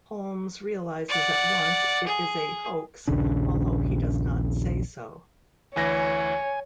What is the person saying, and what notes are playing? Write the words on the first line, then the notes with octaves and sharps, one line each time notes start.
Holmes realises at once it is a hoax although he does not say so.
D5 F#5
G#4
A#1 D#2 C#3 D4
D2 E3 C#5 G#5 A#6